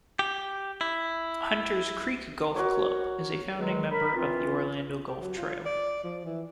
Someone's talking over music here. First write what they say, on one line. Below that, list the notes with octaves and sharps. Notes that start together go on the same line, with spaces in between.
Hunter's Creek Golf Club is a founding member of the Orlando Golf Trail.
G4
E4
F#4 A#4 C#5 D6
E2 D#3 F#3 G#3
A#4 B5
E3 C4 F4
G4
F#3
F4
D5
F3
E3